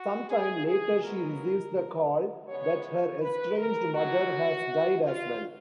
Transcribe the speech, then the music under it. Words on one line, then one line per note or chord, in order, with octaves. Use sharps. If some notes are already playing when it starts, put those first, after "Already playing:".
Sometime later she receives the call that her estranged mother has died as well.
Already playing: F#4
G#4
G#4
A#2 F#3 B3 A#4
C#3 G#3 B3 C#5
C#5
B4
A#4
B2 F#3 A#3 F#4
F4